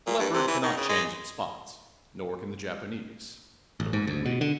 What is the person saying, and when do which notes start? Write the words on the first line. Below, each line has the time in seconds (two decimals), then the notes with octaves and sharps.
The leopard cannot change its spots, nor can the Japanese, nor can we.
0.07 A#2
0.19 G2
0.33 C3
0.48 E3
0.63 D#3
0.77 C#3
0.89 G#3
3.80 A1
3.93 G#2
4.07 D2
4.26 B2
4.41 D3